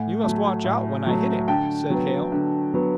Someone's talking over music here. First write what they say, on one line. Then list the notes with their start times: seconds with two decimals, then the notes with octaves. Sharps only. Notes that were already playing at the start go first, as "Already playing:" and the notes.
"You must watch out, when I hit him," said Hale.
Already playing: A2 F#5 G#5
0.23 F#3 A3
0.65 A2
1.07 F#3 A3
1.48 D3 G5 A5
1.90 F#3 B3
2.32 D3
2.74 F#3 B3